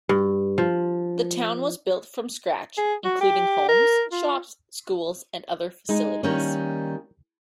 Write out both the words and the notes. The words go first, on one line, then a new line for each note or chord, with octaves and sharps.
The town was built from scratch, including homes, shops, schools and other facilities.
G2
F3
G#4
F#4
G4
A#4
F4
G#3 D#4
D#3 G3 A#3 C#4